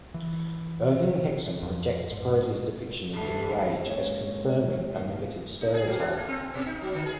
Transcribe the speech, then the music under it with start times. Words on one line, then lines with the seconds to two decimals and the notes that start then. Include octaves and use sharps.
Irving Hexham rejects Peretti's depiction of the New Age as confirming a negative stereotype.
0.14 E3
1.63 F2
2.12 G#2
3.13 D2 E3 A3
3.86 G#3 A#3 C#4 C#5
4.93 A2 D#3 A#3
5.61 D#4
5.74 G#4
5.87 F#3
5.99 D4
6.16 A#3
6.28 C4
6.54 B2
6.66 D#4
6.82 F#3
6.94 D3
7.06 G#4